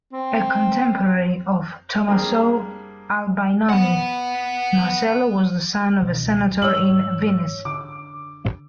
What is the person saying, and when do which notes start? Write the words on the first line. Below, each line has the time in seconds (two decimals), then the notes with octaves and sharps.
A contemporary of Tomaso Albinoni, Marcello was the son of a senator in Venice.
0.13 C4
2.08 G3 A#3 C4 D4 G#4
3.70 F#5 B5
6.02 C#2 B2 D#3
6.62 G#2 C#5 E6 F#7
7.65 D3 D6